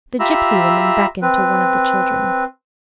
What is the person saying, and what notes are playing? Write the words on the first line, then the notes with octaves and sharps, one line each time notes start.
The gipsy woman beckoned to one of the children.
F4 G4 E5 A#5 B5 E6
C4 B4